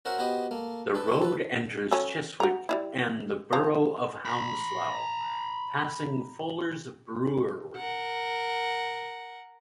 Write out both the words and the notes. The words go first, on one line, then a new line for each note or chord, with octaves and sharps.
The road enters Chiswick and the Borough of Hounslow, passing Fuller's Brewery.
C#4 F#4 A#4 C5 E5 F#5
B3 F#4 G4 B4 C5 D#5
A3 A#3
D4 A4 B4
E4 G4
A4 B4
F#3 C#4 A4
F#4 A#5
G3 D#4 E4
F3 A#5
A#5 B5
A#4 F#5